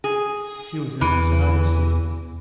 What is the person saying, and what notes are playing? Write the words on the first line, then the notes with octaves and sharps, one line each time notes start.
She was in a sound sleep.
G#4
E2 E3